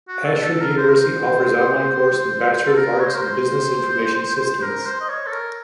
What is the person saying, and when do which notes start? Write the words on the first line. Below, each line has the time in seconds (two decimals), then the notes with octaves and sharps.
Ashford University offers online course in Bachelor of Arts in Business Information Systems.
0.08 F#4
0.25 A4
0.43 A4
0.61 A#4
0.78 C5
0.89 A#4
0.96 C5
2.52 C5
2.67 A4
2.77 A#4
3.00 C#5
3.06 C5
3.14 A#4
3.22 C5
4.62 A#4
4.86 C5
5.01 D#5
5.09 C#5
5.27 A4
5.32 A#4